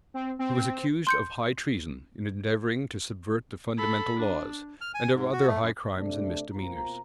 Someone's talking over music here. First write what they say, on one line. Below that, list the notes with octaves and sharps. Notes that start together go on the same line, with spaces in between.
He was accused of high treason, in endeavoring to subvert the fundamental laws, and of other high crimes and misdemeanors.
C4
C4
C4
C6 G6 C#7
A4 B5
D4
F6
G#5
G#2
F#4
A3
F#2
C3 A3 D4
B2 A#3 C4 F4 A#5